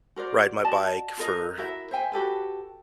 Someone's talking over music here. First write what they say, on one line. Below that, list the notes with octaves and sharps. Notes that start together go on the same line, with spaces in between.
ride my bike for
F#4 A#4 C5 D5
F#4 D5 D#5 A5
F4 A4 A#4 D#5
E4 F#4 A#4 E5
C5 E5 G5 G#5
F#4 G4 A4 B4